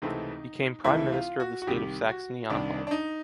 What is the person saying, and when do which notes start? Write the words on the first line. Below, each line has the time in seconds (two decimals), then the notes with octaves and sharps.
Became prime minister of the state of Saxony-Anhalt.
0.02 C#2 C3 E3 A3 C4 D#4
0.84 C#2 C3 E3 A3 C4 E4
1.12 F4
1.40 F#4
1.62 F#4
1.67 C2 C3 D#3 G4
2.09 F#4
2.50 C2 C3 D#3 D4
2.87 D4
2.91 D#4